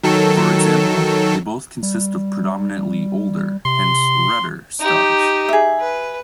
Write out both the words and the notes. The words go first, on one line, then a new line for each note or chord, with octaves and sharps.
For example, they both consist of predominately older, hence redder, stars.
D#3 F#3 A4
G3
C3 C6
D#4 G4
G#4 E5
B4